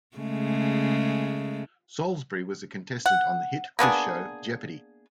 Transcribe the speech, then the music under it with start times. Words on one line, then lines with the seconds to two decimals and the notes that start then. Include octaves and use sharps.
Salisbury was a contestant on the hit quiz show Jeopardy!
0.17 C#3 G#3 A3
3.06 F#5
3.79 A#3 B3 D4 G#4